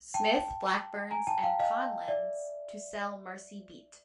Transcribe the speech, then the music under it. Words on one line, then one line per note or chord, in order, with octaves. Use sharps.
Smith, Blackburn's, and Conlan's, to sell "Mersey Beat".
G5 A5
G#5 A#5
G5 A5
F5 G5
D#5 F5
D5 E5